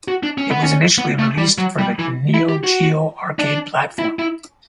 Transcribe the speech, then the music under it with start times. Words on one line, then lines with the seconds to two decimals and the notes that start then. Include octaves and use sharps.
It was initially released for the Neo Geo arcade platform.
0.08 F#4
0.23 D4
0.38 C#4
0.51 B3
0.63 C#4
0.98 B3
1.19 A3
1.38 G3
1.58 F#3
1.79 G3
1.99 E3
2.34 E4
2.49 G4
2.64 F#4
3.39 D4
3.99 E4
4.19 E4